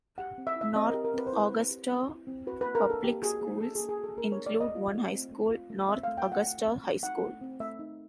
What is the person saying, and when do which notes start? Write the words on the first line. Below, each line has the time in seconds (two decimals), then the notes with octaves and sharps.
North Augusta public schools include one high school, North Augusta High School.
0.18 G4 F#5
0.38 C4
0.47 E5
0.56 E4
0.61 E5
0.75 C4 D#5
0.90 G4 A#4
1.04 A#4
1.14 C4 B4
1.27 C5
1.33 E4 B4
1.51 C4
1.71 G4
1.89 C4
2.09 E4
2.27 C4
2.47 F#4 B4
2.61 A#3 B4
2.75 A#4
2.84 D4
2.90 A4
3.03 A#3 G4
3.22 F#4 G#4
3.41 A#3 G#4
3.60 D4 A4
3.75 A#3 G#4
3.89 G#4
3.99 F#4 A4
4.17 A#3 A#4
4.32 C#5
4.37 D4
4.46 D5
4.56 A#3 D#5
4.75 F4
4.94 A3
5.13 C4
5.32 A3
5.50 F4
5.70 A3
5.89 C4 E5
6.03 A3 F5
6.18 G5
6.26 F4
6.32 F#5
6.46 A3
6.65 C4
6.84 A3
7.03 D#4 F#5
7.22 A3
7.41 C4
7.60 A3 E5
7.79 D#4